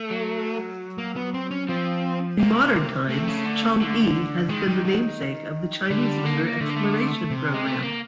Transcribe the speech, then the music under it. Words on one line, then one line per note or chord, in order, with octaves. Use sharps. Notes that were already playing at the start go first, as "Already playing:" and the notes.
In modern times, Chang'e has been the namesake of the Chinese Lunar Exploration Program.
Already playing: A3
F#3
A#3
B3
C4
C#4
F3 C4
C3 A#3
C3 A3
C#3
D3
C#3
D3
D#3 G#3
G3
F#3
D3 G3
A#3
D3 A3
A#3
A3
C3
G#3
A3
A#3